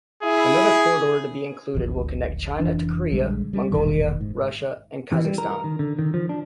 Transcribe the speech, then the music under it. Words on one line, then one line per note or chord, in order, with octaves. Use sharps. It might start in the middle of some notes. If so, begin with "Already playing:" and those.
Another corridor to be included will connect China to Korea, Mongolia, Russia and Kazakhstan.
E4 G#4
D1 G#1 D2 F3
F1 C2 E3 D4
A#1 D3 G3 G#3
G3
E1 A1 A#2 D#3
G#2
E3
G3
A#4
A#4
D#3
D3
D#3
F3
D4